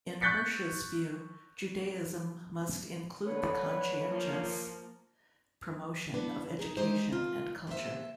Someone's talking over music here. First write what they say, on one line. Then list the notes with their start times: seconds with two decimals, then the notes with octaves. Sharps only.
In Hirsch's view, Judaism must "include the conscientious promotion of education and culture".
0.21 C#6 F#6 G6 A6 B6 C#7
3.26 D3 B4 C#5
4.09 F3 A#3
6.14 B3 D4 E4 B4
6.59 D#4 G#4
6.77 G#3 D#4 G4 C5 E5
7.12 D#3 F4
7.67 A#3 G4 B4 C5 E5